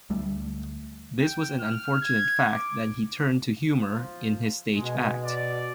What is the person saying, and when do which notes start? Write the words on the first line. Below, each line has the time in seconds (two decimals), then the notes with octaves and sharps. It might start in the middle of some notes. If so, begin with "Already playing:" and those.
This was an unfortunate fact that he turned to humour in his stage act.
0.10 D2 G3 A3
1.21 G5
1.60 F6
2.02 G#6
2.52 D6
3.73 F3
4.74 B2 G#3
5.25 D5